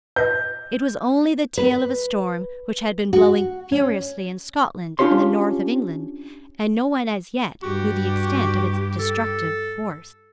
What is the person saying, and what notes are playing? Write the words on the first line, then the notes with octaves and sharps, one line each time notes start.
It was only the tail of a storm which had been blowing furiously in Scotland and the north of England, and no one as yet knew the extent of its destructive force.
B4 D#5 G6
B4
F#4
C#4
C#4 D4 F4 G4 C#5 C6
G2 F#4 G4
A4